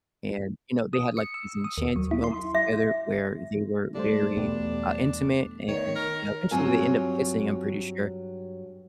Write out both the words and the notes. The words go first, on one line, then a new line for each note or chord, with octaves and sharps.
and, you know, they had, like, these enchanting moments together where they were very, uh, intimate and, you know, eventually they end up kissing, I'm pretty sure,
D#6
C#7
E6
D#6
D#2
F#3
E4
C6
E5
G3 A3 D4 C5
E2 B2 G3 A3 B3
D#3 C#5
A#4
G2 F#3 C4 F4 G#5